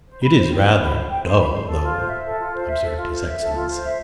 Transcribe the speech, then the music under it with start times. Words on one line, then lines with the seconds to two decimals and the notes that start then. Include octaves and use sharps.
"It is rather dull, though," observed his Excellency.
0.09 C5
0.23 B5
0.37 C5
0.51 G5
0.66 C5
0.80 B5
0.95 C5
1.09 G5
1.24 C5
1.38 B5
1.53 C5
1.67 A4
1.81 F4
1.96 C5
2.10 E5
2.25 A4
2.39 F4
2.54 C5
2.68 E5
2.82 A4
2.97 F4
3.11 C5
3.26 E5
3.40 A4
3.54 F4
3.68 C5
3.83 E5